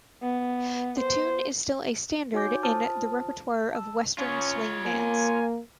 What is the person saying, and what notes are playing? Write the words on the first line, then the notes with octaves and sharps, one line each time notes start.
The tune is still a standard in the repertoire of Western swing bands.
B3
C5
D#4 F#4 C#5 G#5 D6 G6
F4 C5 A5 D#6 F6
A5 E6
C#4 F4 C#5
A#3 G#5